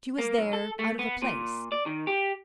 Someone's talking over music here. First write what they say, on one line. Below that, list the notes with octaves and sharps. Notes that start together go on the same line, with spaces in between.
She was there, out of a place.
A#3
B1
A4
A3
B3
A#2
D5
D#3
G4